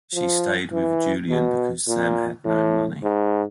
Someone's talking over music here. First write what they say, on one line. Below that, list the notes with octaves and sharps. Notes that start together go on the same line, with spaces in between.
She stayed with Julian because Sam had no money.
F3
E3
B2
A#2
A2
G#2